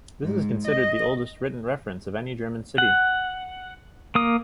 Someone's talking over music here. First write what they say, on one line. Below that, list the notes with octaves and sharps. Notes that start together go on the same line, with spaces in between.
This is considered the oldest written reference of any German city.
G#2
D#5
F#5
A#3 D#6